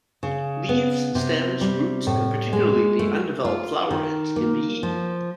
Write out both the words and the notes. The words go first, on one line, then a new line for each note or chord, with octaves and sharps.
Leaves, stems, roots, and particularly the undeveloped flowerheads can be eaten.
C#3
B3
C3
G3
A2
G#3
A3
F4
D#3
A#3
F3